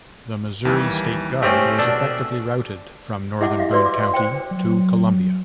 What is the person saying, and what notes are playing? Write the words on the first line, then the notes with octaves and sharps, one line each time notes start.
The Missouri State Guard was effectively routed from northern Boone county to Columbia.
D#2 E3 G3
A3 C4 C#4 G4
B2 D4 A4
E4 G4 D#5 E5 F#5 D6
E5 F5
F#4 B4 D5 C6
D6
D5
C5 G5
F#3